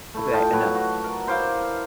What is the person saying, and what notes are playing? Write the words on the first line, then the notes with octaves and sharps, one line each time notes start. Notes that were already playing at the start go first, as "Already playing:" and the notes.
okay, eh, none."
A3 E4
F4 D#5 G5 A5
F#3 B4 C#5
F#4
A#4
E4 C5 D5 F5